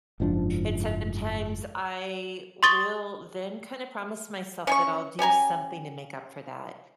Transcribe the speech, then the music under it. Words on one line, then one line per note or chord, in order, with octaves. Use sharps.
and sometimes I will then kinda promise myself that I'll do something to make up for that,
F#1 G#2 F3 D4
C6 C#6 D#6 A6 G7
C#4 G#5 C#6
C#4 G4 G#5 A#5